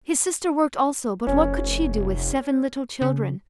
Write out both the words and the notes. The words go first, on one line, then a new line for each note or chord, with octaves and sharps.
His sister worked also but what could she do with seven little children?
F1 C#4
C#3